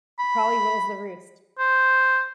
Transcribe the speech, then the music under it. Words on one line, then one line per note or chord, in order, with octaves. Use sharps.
Probably rules the roost.
B5
C5